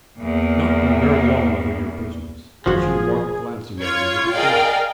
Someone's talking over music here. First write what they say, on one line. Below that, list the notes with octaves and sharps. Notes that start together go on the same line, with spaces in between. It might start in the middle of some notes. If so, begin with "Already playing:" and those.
"You've not been very long over your business," she remarked, glancing at me with a smile.
E2 A#2
G#1 F#2 F3 F#4 G#4
F4 C#5 G#6
G#4 A#4 D5 D#5 F5 G5